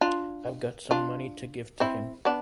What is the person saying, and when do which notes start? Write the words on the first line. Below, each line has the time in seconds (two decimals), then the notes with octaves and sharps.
I've got some money to give to him.
0.01 D4 F4
0.91 D4 F4
1.80 C4 E4
2.25 B3 D4